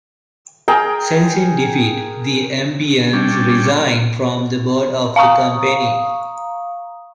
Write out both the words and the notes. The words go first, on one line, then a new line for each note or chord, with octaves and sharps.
Sensing defeat, the Ambanis resigned from the board of the company.
G#4 A#4 G5 A#5
G3 C#4 D4
F5 A#5 C#6 D#6